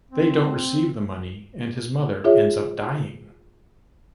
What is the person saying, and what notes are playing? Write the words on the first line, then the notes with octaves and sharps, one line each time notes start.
They don’t receive the money and his mother ends up dying.
C4
F4 G#4 C#5 E5